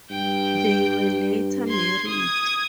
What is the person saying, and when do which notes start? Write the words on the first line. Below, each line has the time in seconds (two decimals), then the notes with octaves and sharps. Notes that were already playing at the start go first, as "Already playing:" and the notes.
They were later married.
0.10 G2 G5
1.69 C6 G#6
2.07 D#6 G#6